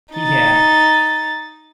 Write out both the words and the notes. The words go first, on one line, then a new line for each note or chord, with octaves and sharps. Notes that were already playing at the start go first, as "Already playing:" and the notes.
He had.
D#4 A6